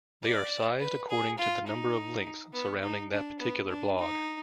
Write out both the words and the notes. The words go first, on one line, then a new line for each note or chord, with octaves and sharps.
They are sized according to the number of links surrounding that particular blog.
D5
B4
G#4
F4
D#4
B3
D#4
D4
B3
D4
D#4